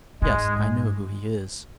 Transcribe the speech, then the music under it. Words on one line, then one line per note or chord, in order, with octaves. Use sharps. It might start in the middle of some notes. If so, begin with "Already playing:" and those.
"Yes; I know who he is."
G#2 G#3